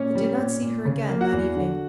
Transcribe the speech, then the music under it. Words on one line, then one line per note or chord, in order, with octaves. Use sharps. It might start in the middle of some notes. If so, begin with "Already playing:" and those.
They did not see her again that evening.
Already playing: A#2 C#4 C#5
G3
A#2
A#2
C#3
A#3
F#4 F#5
E2
D3